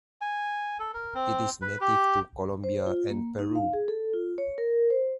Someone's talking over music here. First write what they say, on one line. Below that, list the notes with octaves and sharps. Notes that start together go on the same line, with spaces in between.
It is native to Colombia and Peru.
G#5
A4
A#4
C4
B4
G4
C5
F4
A#3
D#4
F5
G#4
A4
F4
C#5
A#4
C5